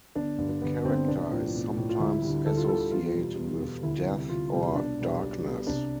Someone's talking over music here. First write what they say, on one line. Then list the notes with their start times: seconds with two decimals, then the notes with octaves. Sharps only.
The character is sometimes associated with death or darkness.
0.15 G1 D4
0.38 G2 D3
0.62 G1 B3
0.85 G2 D3 C4
1.08 B1 D4
1.30 A2 F3
1.54 B1
1.77 A2 F3
1.89 F4
1.99 D2 E4
2.22 D3 G3
2.45 D2 A4
2.57 F4
2.68 D3 G3 A4
2.91 E2 F4
3.14 B2 G3
3.37 E2
3.60 B2 G3
3.83 D2 E4
4.06 C3 G3
4.29 D2 F4
4.52 C3 G3
4.75 B1 D4
4.98 B2 G3
5.21 B1
5.44 B2 G3
5.67 C2 D4